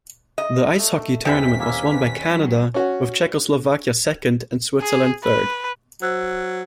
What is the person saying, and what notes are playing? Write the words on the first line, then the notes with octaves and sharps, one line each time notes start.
The ice hockey tournament was won by Canada, with Czechoslovakia second and Switzerland third.
D#5
A3
D#2 C3 E3 F5 G5 B5 B6
A#3 C#4 E6
B4
F#3
C#4 F#4
G#4
B4
F#3 C5 E6 F#6